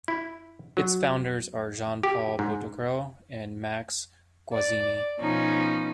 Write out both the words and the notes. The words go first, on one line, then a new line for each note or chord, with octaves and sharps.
Its founders are Jean-Paul Baudecroux and Max Guazzini.
E4
F#3
G4
G#2
D5
B2 F3 C#4 D#4